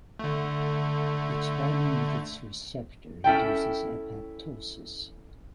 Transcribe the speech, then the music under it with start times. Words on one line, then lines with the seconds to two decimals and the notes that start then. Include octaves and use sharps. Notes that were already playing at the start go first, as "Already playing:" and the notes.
Its binding with its receptor induces apoptosis.
0.19 D3 A3
3.24 C#4 E4 A4 G5